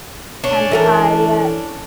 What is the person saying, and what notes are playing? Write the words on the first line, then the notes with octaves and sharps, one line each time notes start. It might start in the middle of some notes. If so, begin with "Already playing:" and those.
and I
C#4 D4
E3 A4 A#4